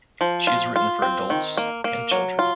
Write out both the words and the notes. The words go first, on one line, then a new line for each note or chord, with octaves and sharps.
She has written for adults and children.
F3
F4
F4
C4
D#3
A#3
A#3
F#3
F4